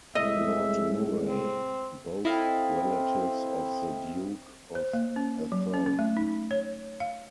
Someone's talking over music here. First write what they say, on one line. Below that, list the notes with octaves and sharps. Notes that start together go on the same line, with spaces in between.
Lord Murray, both relatives of the Duke of Atholl.
C2 A2 G#3 D#5 E5
C4
C4 E4 A4 D#5 F5 G5
C5
A#3
C#4
F#3
C#4
C#4
A3
D#4
C#5
F5